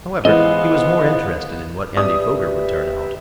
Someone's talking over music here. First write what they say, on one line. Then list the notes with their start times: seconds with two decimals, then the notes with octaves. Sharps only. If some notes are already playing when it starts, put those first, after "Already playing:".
However, he was more interested in what Andy Foger would turn out.
0.25 E3 G#3 B3 E4 F4 C5 D#5
1.97 G4 B4 D5 E5 D#6